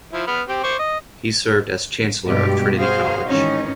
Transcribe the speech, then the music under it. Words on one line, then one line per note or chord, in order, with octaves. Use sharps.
He served as chancellor of Trinity College.
F3 E4
B3 B5 F6
C4 G4
C5 C#6 D6
D#5
G2 B2 G#3 G4
F#4 G#4 C5 F5
G#2 D#3 E3 C#4 D#4